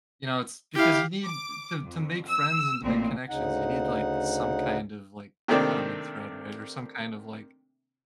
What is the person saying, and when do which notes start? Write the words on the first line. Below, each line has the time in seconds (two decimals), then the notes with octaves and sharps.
you know, it's because you need to to make friends and to make connections, you need, like, some kind of, like, common thread, right, or some kind of, like
0.75 E4 G4 F5
1.24 D6
1.84 F2
2.27 E6
2.83 A1 A#2 C4
3.29 D2 C#3 D#4 F#5
5.48 C3 D#3 A3 A#3 C4 D4